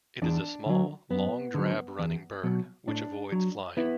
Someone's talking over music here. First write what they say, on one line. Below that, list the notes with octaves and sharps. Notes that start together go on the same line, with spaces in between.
It is a small, long drab running bird, which avoids flying.
E2 D4
D3 F#3
F#2 B3
D3 F#3
E2
B2 F#3
A2 D4
F#3
B3 E4